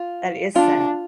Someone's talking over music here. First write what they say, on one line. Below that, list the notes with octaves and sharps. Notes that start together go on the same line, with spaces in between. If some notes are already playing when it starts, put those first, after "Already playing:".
That is sad.
Already playing: F4
D4 F4